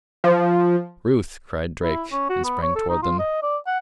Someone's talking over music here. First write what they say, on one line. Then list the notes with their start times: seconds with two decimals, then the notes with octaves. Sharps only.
"Ruth!" cried Drake--and sprang toward them.
0.24 F3
1.82 E4
2.12 C#4
2.29 F#4
2.44 B3
2.62 C#5
2.75 A4
2.89 D#4
3.02 F4
3.19 D#5
3.42 D5
3.67 F#5